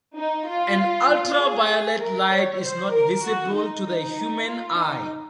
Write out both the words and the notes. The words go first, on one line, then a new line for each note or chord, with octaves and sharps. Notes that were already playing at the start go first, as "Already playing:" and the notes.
An ultraviolet light is not visible to the human eye.
D#4
F4
G#4
A#4
C#5
C5
A#4
F#4
D#4
D#4
F4
D#4